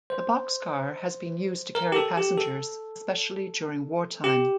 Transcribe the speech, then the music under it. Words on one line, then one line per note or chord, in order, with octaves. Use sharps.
The boxcar has been used to carry passengers, especially during wartime.
C5
A#4
G4
A4
G4
A4
G4